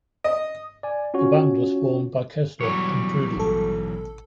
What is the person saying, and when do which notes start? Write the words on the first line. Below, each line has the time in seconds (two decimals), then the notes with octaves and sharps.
The band was formed by Kessler and Drudy.
0.24 D#5
0.83 D5 G#5
1.14 C#4 F4 F#4 C#5
2.61 B1 E3 F#3 G3 C#5
3.36 A1 A4